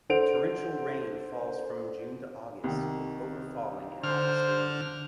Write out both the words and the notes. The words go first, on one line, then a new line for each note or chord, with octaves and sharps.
Torrential rain falls from June to August, with over falling in August alone.
D4 A4 C5 F#5 D7 F7
C2 D#3
D3 C5 F6